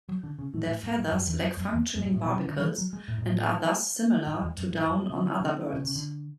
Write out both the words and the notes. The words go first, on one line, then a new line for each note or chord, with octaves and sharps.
Their feathers lack functioning barbicels, and are thus similar to down on other birds.
F#3
D3
C#3
A2
A2
G#2
G#2
F#2
E2
F#2
F#2
E2
F#2
G#2
A2
B2
C#3
D3
F#3
E3
F#3
G#3
A2
G#2
A2
G#2
E2
F#2
G#2
F#2
C#3
D3
C#3
C#3
C#3
D3